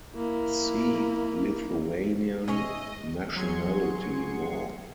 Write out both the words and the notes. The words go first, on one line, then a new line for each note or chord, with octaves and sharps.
See Lithuanian nationality law.
A#3 E4
B2 C#4 G#4 C#5 D#5 E5 C#7
F#3 F#4 G#4 C6 G#6 C#7